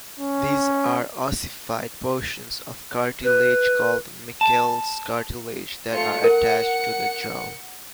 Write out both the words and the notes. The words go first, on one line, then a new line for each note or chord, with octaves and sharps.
These are ossified portions of cartilage-called Meckel's cartilage-that are attached to the jaw.
C#4
B4
A5
A3 F4 C#7
A#4 F#5 C#7